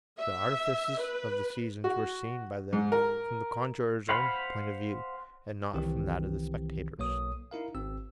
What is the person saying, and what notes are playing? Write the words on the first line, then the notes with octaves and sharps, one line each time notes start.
The artifices of the seasons were seen by them from the conjuror's own point of view, and not from that of the spectator's.
E5
B4
F#4
G#2
A#4
C5 F5 F#5 B5
C2 D#3 E3 C4 G4
B1 A#3 C#5 D#6
D#4 E4 A#4 F5
G#1 C4 E6